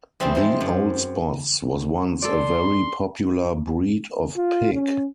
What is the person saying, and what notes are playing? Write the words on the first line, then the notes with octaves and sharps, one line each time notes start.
The Old Spots was once a very popular breed of pig.
E3 G3 C4 G#4 A5 C6
F3 G#3 C4
F#2
A4 D5 C6
F4
C#4